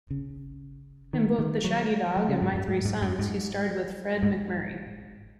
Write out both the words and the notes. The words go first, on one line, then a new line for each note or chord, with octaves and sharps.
In both "The Shaggy Dog" and "My Three Sons", he starred with Fred MacMurray.
C#3
D#3
D#3
F#3
F#3
C#3
G#2
F#2
G#2
G#2
F#2
G#2
G#2